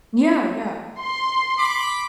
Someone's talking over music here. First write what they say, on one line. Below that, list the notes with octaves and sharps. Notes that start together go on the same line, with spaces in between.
Yeah, yeah.
C6
B5 D6